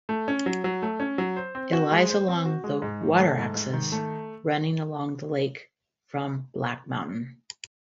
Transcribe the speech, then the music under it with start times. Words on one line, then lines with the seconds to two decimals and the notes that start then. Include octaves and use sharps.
It lies along the 'water axis' running along the lake from Black Mountain.
0.09 A3
0.28 C#4
0.46 F#3
0.64 F#3
0.82 A3
1.00 C#4
1.18 F#3
1.36 C5
1.55 C4
1.73 F#4
1.92 G#3
2.09 C5
2.28 C4
2.45 F#4
2.64 G#3
2.82 G#2
3.01 D#3
3.19 A3
3.38 G#2
3.55 G#2
3.73 D#3
3.92 A3